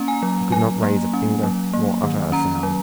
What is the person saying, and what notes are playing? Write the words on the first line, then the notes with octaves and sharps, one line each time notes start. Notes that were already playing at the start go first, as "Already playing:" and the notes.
He could not raise a finger nor utter a sound.
Already playing: A#3 C#4 A#5
G#5
F#3
F#3 G#5
A#3
C#4
F#3
A#3
D#3
C#4 A#5
F#3